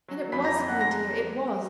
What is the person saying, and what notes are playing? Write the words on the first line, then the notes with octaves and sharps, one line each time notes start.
'And it was, my dear, it was!
F#3
F2 B5 B6
A#5 A#6
F2
F#5 F#6
G#3 A#5 A#6